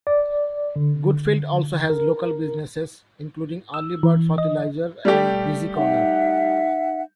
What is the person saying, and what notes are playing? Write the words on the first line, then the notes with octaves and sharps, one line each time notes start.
Goodfield also has local businesses including Early Bird Fertilizer and Busy Corner.
D5
D3
A#4
E6
E3
D#5
G3 A3 G4
D#4 E5 F#5